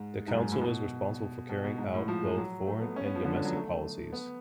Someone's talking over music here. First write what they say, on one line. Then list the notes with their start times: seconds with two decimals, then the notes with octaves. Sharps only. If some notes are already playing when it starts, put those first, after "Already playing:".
The Council is responsible for carrying out both foreign and domestic policies.
Already playing: G#2
0.28 G#2
0.32 F#2
0.42 G#2
0.52 A2
0.61 B2
1.49 B2
1.64 B2
1.78 G#2
1.94 A2
2.08 F3
2.23 G#3
2.37 F#3
2.67 A3
2.82 B3
2.96 C#4
3.05 B3
3.15 F3
3.25 D3
3.35 D3
3.45 F#3
3.55 A3
4.13 B3